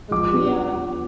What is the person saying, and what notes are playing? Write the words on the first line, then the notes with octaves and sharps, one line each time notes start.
Ooh, yeah.
F3 D6
B3 D4